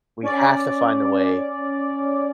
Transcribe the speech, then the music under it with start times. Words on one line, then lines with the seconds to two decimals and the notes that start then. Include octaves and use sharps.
we have to find a way
0.22 C#4 D5